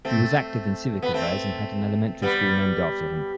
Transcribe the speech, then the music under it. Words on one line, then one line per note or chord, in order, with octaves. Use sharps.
He was active in civic affairs and had an elementary school named after him.
A3 C4
B3
A3 C4
G3 B3